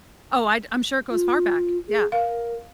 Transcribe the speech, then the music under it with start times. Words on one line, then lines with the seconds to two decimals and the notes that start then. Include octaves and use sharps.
Oh, I'd I'm sure it goes far back. Yeah.
1.10 F4
1.88 G#4
2.12 A#4 F5